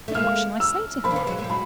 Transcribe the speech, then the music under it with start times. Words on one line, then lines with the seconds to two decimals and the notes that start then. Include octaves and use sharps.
"But what shall I say to her?"
0.08 A3
0.14 G#3 A#3 F6
0.60 E6
1.04 A#3 C4 B5
1.11 D4
1.16 B3 C#4
1.27 F#3 G#3
1.38 G#3 A#3
1.44 G3
1.49 F#3 G#3 B5